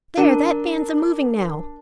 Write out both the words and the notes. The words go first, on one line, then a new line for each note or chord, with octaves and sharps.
There, that van's a-moving now.
D4 A#4